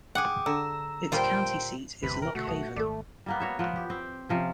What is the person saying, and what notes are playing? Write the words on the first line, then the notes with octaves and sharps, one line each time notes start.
Its county seat is Lock Haven.
G#4 F#5 G5 D6 D#6
D3 A#5 E6
A#2 G3 F4 C5 G5
G1 E2 C3 B4
A#4
B2 D3 A3 F#4
B1 G2 D#3 E3 D#6
A#2
G#1 A3 A4 D5
G3 A#3 B3
F#4 C#5 E5
F3 B3
G4
C4
C3 F3 C#4